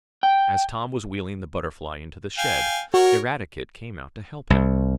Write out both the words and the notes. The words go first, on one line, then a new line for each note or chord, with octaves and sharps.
As Tom was wheeling the Butterfly into the shed, Eradicate came out to help him.
G5
F5 G5 G#5
F#4 A#4 C#5
C2